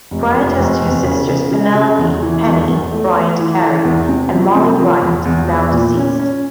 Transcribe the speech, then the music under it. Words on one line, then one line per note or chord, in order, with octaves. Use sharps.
Bryant has two sisters, Penelope "Penny" Bryant Carey, and Molly Bryant, now deceased.
F1
F1
F1
E2
C#3
C#3
C#3
C#3
E2
E3
E2
E2
A3
A3
E3
E3
E2
C3
F3
C3
F3
E2
E2
E2
A#2
C#4
C#4